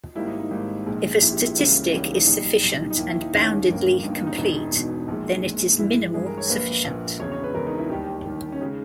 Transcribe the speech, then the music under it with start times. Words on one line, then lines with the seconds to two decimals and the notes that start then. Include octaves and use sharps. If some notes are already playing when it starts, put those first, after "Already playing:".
If a statistic is sufficient and boundedly complete, then it is minimal sufficient.
0.15 G#1 G#2 G3 A#3 E4
0.28 D#4
0.40 D#4
0.51 G#1 G#2 G3 A#3
0.86 A#1 A#2 G#3
1.21 A#1 A#2 G#3 E4
1.32 G4
1.45 E4
1.56 C#2 C#3 E3 G3 A#3
1.92 C#2 C#3 E3 G3 A#3 C#4
2.03 D#4
2.15 D#4
2.26 B1 A#2 G3 D#4
2.62 B1 A#2 G3
2.90 D#4
2.97 D#2 D#3 A#3 E4
3.09 E4
3.21 D#4
3.33 D#2 D#3 A#3 C#4
3.68 G1 G2 D#3 A#3
4.03 G1 G2 D#3 A#3 D#4
4.14 D#4
4.27 D#4
4.38 E1 E2 B2 D#4
4.73 E1 E2 B2
5.08 A#1 A#2 G#3
5.44 A#1 A#2 G#3
5.79 G2 E3 G#3 E4
6.14 G2 E3 G#3 G#4
6.26 A#4
6.38 C#5
6.49 A#1 A#2 A#3 B4
6.84 A#1 A#2 A#3
7.20 E1 E2 C#3 C#5
7.32 C#5
7.44 B4
7.55 E1 E2 C#3 A#4
7.67 D#4
7.78 E4
7.90 D#2 D#3 G3 G4
8.25 D#2 D#3 G3
8.52 C#4
8.61 C#3 G#3 D#4